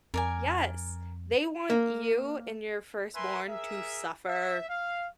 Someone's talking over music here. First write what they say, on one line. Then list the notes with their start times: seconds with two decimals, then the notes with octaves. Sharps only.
Yes. They want you and your firstborn to suffer.
0.14 F2 A#4 D5 G#5
1.70 A#3
3.14 A#4 B4 E5 G#5 C6
3.48 G#4 A#4 E5
4.28 E5
4.69 F5